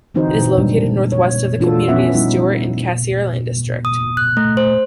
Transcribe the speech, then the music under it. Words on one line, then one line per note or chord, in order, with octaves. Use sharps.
It is located northwest of the community of Stewart in Cassiar Land District.
D3 E3 C4 D#4 F#4 C5
F3 G3 G#3 D4
C#5
E3 D4 F4 F#4 A4
F3 B3 C#4 E5 F#5
G3 D#4 E4
D#6
F#6
A3
C5